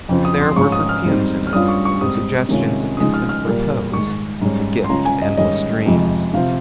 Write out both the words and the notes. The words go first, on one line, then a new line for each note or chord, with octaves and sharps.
There were perfumes in it, suggestions of infinite repose, the gift of endless dreams.
F2 C#3 F3 C4
D#6
C6
G#2 F3 G#3 C#4 F4 C#6
D#6
F6
G#2 G3 C4 D#4
F6
G2 G3 C#4 F4 D#6
C#6
C#6
G#2 G3 C4 D#6
C3 D#3 G#3 C#4 F4
C#3 F3 G#3 D#4 D#6
F6
F6
A#2 G3 A#3
G#2 D#3 G#3 C#6
G#2 G3 C#4
C6
C#3 G#3 C#4 F4 A#5
G#5
D#5
G#2 D#3 G3 C#4 D#5
F2 C3 F3 G#3
C3 F3 C4 F5